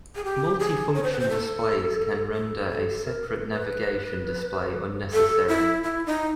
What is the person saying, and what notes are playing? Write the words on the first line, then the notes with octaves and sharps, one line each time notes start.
Multi-function displays can render a separate navigation display unnecessary.
G#4
G4
G#4
C#5
C5
B4
C5
A4
A4
A4
A4
A#4
B4
B4
A4
E4
E4
D#4